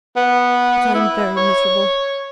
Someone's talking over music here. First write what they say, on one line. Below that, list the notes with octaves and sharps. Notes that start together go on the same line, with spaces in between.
But I am very miserable!
B3
E4
C#5